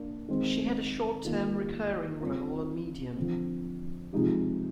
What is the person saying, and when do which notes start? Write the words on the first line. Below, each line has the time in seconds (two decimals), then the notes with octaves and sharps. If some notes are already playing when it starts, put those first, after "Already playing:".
She had a short term recurring role on "Medium".
Already playing: A#3 D4
0.29 D#3 G#3 C4
1.25 D#3 A#3 F4
2.21 G3 C4 F4
3.17 D3 F3 C4
4.13 C3 F3 G#3 D#4 G4